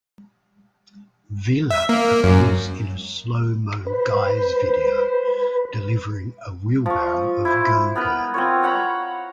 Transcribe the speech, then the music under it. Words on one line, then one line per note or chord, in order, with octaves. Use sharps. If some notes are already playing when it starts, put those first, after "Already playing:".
Vila appears in a Slow Mo Guys video delivering a wheelbarrow of Go-Gurt.
E5
A#3
F#2
B4 C5
F3 C#6
E4 C5
B3 A#4 B4
C4 F4 C#5
C#5 F#5 A#5 B5